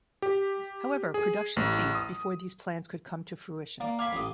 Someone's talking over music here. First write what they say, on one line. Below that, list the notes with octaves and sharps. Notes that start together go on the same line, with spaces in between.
However, production ceased before these plans could come to fruition.
G4
G#4
A1
D#6
A#3 D5
F5 G#5 B5 D6
A1 D#6